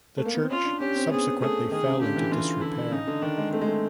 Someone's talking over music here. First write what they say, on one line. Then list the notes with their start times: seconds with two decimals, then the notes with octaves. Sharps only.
The church subsequently fell into disrepair.
0.17 A3
0.25 A#3
0.34 B3
0.42 C4
0.50 C#4 F4
0.65 D4
0.80 C#4 G4
0.95 C4
1.11 B3 G#4
1.40 A3 G#4
1.71 D#3 G#4
1.86 C#3
2.01 D3 G4
2.16 E3
2.32 E3 F4
2.61 D3 E4
2.92 C#3 D#4
3.07 D3
3.22 D#3 D4
3.37 G#3
3.52 A3 C4
3.61 G#3
3.68 A3